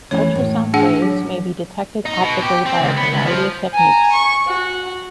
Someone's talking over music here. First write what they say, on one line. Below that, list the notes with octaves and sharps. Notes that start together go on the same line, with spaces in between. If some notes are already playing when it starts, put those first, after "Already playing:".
Ultrasound waves may be detected optically by a variety of techniques.
E3 A3 C#4 C#5
A2
D4 G#4 F#5
F#3
D#4
B2
G4
C4
C#2
B3
C#2
F3
G#5 A#5
C#6
F#4